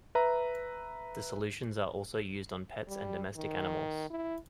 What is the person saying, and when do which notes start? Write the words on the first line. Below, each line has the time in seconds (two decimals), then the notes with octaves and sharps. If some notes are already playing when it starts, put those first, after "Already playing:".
The solutions are also used on pets and domestic animals.
0.15 B4 E5 A#5
2.87 G3
3.36 D#3
4.10 E4